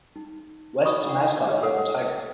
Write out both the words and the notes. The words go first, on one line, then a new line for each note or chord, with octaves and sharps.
West's mascot is the Tiger.
D#4
D#4 F#4 B5 C#6 D#6
D4 E4 F#5
G4 B4 C#5 D#5
F4 A4 A#4 C#5 F#5